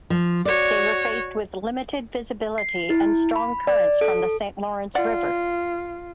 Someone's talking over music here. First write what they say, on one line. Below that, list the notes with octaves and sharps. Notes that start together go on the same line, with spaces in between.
They were faced with limited visibility and strong currents from the Saint Lawrence River.
F3
F#4 C#5 D5
C7
E4
B5
D5
A4
F4 D5 F#5